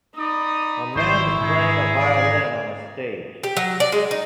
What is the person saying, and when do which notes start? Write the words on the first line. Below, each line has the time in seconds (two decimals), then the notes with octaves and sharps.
A man is playing a violin on a stage.
0.15 D#4 D5 B5 D#6
0.95 G#1 E4 C5 C#6
1.40 G#2 D#3 D4 D#4 G#4
1.98 D5 F5
3.43 G4
3.57 F#3
3.80 D5
3.92 G#3
4.11 D#4